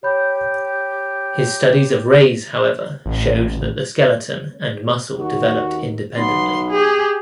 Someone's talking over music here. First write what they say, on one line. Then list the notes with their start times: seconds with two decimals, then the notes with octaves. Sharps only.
His studies of rays however showed that the skeleton and muscle developed independently.
0.03 G4 C#5 B5 G6
3.06 A1
5.19 D#2 F#4
6.17 B1 B3 C6
6.70 G4 G#4